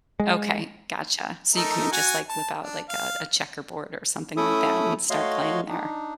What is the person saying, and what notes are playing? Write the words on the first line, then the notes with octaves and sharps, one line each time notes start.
Okay, gotcha, so you couldn't just, like, whip out, like, a a checkerboard or something like that and start playing there?
G#3
A3 D#4 A#4
F#4 G#5
A5
D4
F5
A3 C#4 E4 A4 E5 D#6
A3 F#4 C#5 D#5 F5 C6
D4 D#4